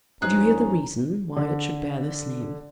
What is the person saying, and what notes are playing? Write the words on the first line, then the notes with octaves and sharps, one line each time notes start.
Would you hear the reason why it should bear this name?
G2 F3 C#4 D#4 G#4 A#5 F#6
D3